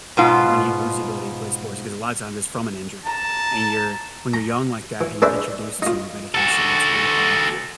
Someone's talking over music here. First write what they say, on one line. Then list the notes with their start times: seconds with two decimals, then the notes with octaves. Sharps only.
when you lose the ability to play sports. Because a lot times that's from an injury. And you're when you're young like that and you're introduced to medication that's really powerful.
0.17 G#2 B2 F4
3.06 A5 A#5
4.34 A#5
5.01 E3
5.22 G#3 D4 B4 C5 D5 E5
5.82 D#4 F4
6.34 F#4 A4